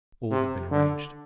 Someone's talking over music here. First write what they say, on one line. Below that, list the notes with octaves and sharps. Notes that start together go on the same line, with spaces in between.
All had been arranged.
C3
D3